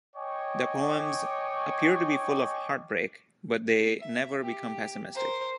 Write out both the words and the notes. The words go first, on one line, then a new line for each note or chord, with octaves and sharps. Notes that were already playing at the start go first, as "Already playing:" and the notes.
The poems appear to be full of heartbreak but they never become pessimistic.
C#5 D#5 G5 G#5 C#6 D6
E5
G4
A#4 C5